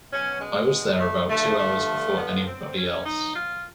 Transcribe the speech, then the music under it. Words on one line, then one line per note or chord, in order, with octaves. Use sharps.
I was there about two hours before anybody else.
B2 F#3 C#4
G#3
A3
G2 D3 F3 A3
A3
B3
B2 F#3 C4
C#4
D#4
F4